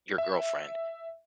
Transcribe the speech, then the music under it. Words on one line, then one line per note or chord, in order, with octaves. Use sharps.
your girlfriend,
E5